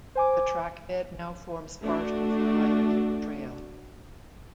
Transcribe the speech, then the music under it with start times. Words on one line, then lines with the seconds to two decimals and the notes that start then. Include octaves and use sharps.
The trackbed now forms part of the High Peak Trail.
0.15 C5 G#5 D6
1.81 A3 D4 F#4